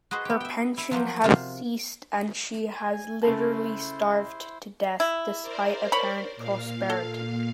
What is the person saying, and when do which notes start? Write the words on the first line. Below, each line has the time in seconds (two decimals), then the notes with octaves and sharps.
Her pension has ceased and she has literally starved to death, despite apparent prosperity.
0.11 F#4 G#4 B4 C5 D#5
0.25 B3 G4
0.40 E5 G5
0.78 E4
0.91 F3 F#3 A#3 C5
1.23 C3 F4 C5
2.75 G#5
3.23 C#3 A3 E4 C5 A5
5.00 E4
5.42 A#4 C5 D5
5.92 C#5 B5
6.36 A#2 F5
6.90 A4